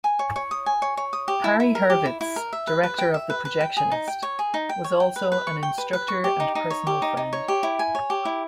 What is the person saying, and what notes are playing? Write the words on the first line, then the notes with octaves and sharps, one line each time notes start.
Harry Hurwitz, director of "The Projectionist" was also an instructor and personal friend.
G#5
C#5
C#5
D#6
G#5
C#5
C#5
D#6
G4
E4
E4
A#4
G4
E4
E4
A#4
E5
B4
B4
G5
E5
B4
B4
G5
G#4
D#4
G5
C#5
G#4
D#4
G5
C#5
G5
B4
B4
C#6
G5
B4
B4
C#6
G4
D#4
D#4
C#5
G4
D#4
D#4
C#5
G4
E4
G#5
C#5
G4
E4